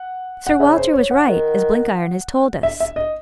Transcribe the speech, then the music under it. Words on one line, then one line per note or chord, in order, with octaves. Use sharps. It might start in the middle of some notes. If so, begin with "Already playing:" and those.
'Sir Walter was right, as Blenkiron has told us.
Already playing: F#5
F#5
C#3 E5
C5
C#5
F#5
D#3
E5
E5
D#5